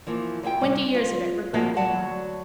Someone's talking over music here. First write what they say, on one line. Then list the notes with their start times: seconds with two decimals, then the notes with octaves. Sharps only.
Twenty years of it, regret them not.
0.07 E3 F3 A#3
0.43 D2 G#4 E5 G5
0.61 C3 G3
0.94 F4
1.54 D2 F3 A#3 C4 F#4 A4
1.76 D2 F#3 D5 F#5 A5